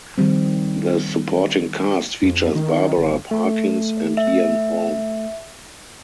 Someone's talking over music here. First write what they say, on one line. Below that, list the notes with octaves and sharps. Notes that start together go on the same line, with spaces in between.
The supporting cast features Barbara Parkins and Ian Holm.
D#3 F3 G3 C4
F2
D#3
G1
A3
E5